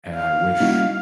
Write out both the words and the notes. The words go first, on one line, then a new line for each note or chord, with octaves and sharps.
and I wish
F5
G3 A#3 C#4 D#4 E4 F#4